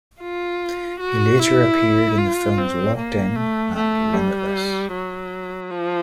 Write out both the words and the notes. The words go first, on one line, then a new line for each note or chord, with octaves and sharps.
He later appeared in the films "Locked In" and "Limitless".
F4
F#4
E4
F4
C4
A#3
A3
A3
G3
F#3
F3